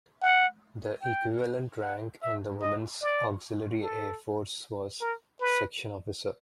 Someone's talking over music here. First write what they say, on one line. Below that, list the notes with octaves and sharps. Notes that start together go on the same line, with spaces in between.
The equivalent rank in the Women's Auxiliary Air Force was "section officer".
F#5
G5
F#5
E5
D#5
D5
A4
A#4
B4